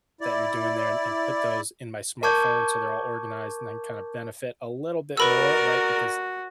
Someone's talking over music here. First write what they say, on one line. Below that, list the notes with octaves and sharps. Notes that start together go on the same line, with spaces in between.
that you're doing there and and put those in my smartphone so they're all organized and then kinda benefit a little bit more, right? Because,
E4 D5
A#4 A5 C#6 D6 G6 G#6
F#4 A#4 B4 D5 B5 E6